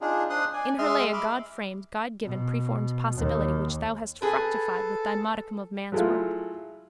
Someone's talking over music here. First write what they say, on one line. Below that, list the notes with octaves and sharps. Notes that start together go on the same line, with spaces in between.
In her lay a Godframed Godgiven preformed possibility which thou hast fructified with thy modicum of man's work.
D4 D#4 F4 G#4
D4 C5 C6 D#6 F#6
D5 G#5
G#3 D#5 E5 C6 F6
E5 B5 C6 D6 F6
B2
D#2
G#4 A4 B4
F#3 G#3 A3 E4 F4